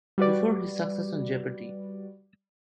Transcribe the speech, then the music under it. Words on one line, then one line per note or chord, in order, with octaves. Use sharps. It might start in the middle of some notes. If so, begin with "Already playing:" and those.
Before his success on Jeopardy!
G3 F#4 B4 D5